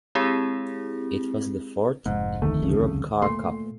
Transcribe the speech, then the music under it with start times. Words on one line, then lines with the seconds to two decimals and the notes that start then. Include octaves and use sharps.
It was the fourth Europcar Cup.
0.15 G#3 C4 E4 G4 G#4
2.06 F1 G#2
2.42 D2 D#3 A3
2.62 C2 F2 C#3
3.22 A#2 A3 C6